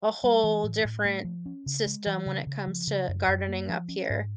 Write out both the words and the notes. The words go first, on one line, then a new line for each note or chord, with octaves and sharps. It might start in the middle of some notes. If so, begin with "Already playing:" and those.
a whole different system when it comes to gardening up here,
G3
E3
A2
A2
A3
F3
C#4
C#3
G#3
E3
C#3
C#3
F3
C#3
F#2
F#2
A#3
F3
C#4
G#2